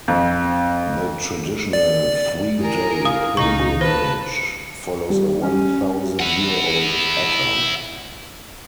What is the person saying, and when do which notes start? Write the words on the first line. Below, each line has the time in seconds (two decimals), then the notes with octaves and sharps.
The traditional three-day pilgrimage follows a one-thousand-year-old pattern.
0.08 F2
1.73 D5
2.59 E4 G4 G#4 A#4
3.05 F5 D#6
3.37 C#2 A#2 C#3 D#4 C#6
3.81 B4 C5 A5 A#6
5.10 G3
5.42 C#4
6.20 E4 F#5